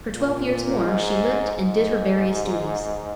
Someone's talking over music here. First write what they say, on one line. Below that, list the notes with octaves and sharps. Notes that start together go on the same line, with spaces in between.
For twelve years more she lived and did her various duties.
A#2
G#2
G#2